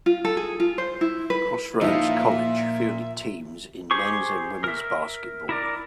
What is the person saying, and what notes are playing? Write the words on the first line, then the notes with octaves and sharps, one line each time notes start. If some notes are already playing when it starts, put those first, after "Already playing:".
Crossroads College fielded teams in men's and women's basketball.
F4
A4
G#4
F4
C5
E4
B4
A#2 F3 D#4 E4 E5
G4 G#4 C5 C#6
A#4 E5
E4 A#4 D5